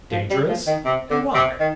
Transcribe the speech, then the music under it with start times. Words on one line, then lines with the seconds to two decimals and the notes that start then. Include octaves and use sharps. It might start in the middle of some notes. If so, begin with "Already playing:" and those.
"Dangerous!--and why?"
0.11 F3
0.30 G3
0.48 F3
0.67 D#3
0.85 C3
1.10 D3
1.34 C3
1.60 D#3